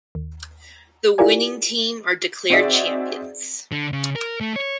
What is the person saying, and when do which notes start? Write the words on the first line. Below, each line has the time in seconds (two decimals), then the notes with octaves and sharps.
The winning team are declared champions.
0.15 D#2
1.18 E4 F4 G4 A#4 D5 G#5
2.50 C4 D#4 F#4 G#4 D5 E5
3.72 D3
3.92 C#3
4.16 A#4
4.41 A3
4.56 C#5